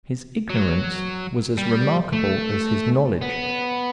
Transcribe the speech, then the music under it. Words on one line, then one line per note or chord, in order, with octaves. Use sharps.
His ignorance was as remarkable as his knowledge.
F#3
G3
A3
B3